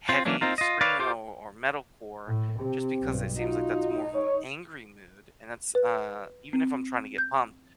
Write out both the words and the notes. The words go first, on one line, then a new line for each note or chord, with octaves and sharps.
heavy screamo, or metal core just because it seems like that's more of an angry mood and that's, uh, even if I'm trying to get pumped,
C4 F4
E3 F#3 A#3 C#4 D4
C4 D#4 F4 A#4
F4 D#5
B4 C#5 D5 F5
F4 G4 A4 C5 D6
A2
C3 C4 G4
B1 G2
D#4 F4 F#4
C#5
B4
C4
G6